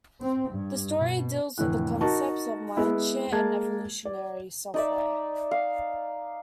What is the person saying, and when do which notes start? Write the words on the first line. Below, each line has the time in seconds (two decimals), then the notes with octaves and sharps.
The story deals with the concepts of mindshare and evolutionary software.
0.21 C4
0.51 G2
0.99 B2
1.58 F1 A2 D3 E3 F#6
2.01 D#4 F#4 A#4 A5
2.77 G#3 B3 E4
3.32 G#3 A#3 A5 G#6
4.05 D5
4.74 D#4 D5 E5
5.51 F5